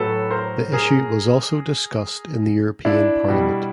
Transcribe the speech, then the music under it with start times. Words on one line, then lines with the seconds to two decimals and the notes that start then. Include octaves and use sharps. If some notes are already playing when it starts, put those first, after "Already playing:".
The issue was also discussed in the European Parliament.
Already playing: A2 F#3 A4 B4
0.30 A#4 C5
0.72 G#4 A#4
2.85 D4 E4
3.28 B2 G3